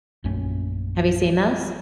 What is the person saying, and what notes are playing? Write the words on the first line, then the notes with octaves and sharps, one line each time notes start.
Have you seen those?
A#1 F#2 A3 C#4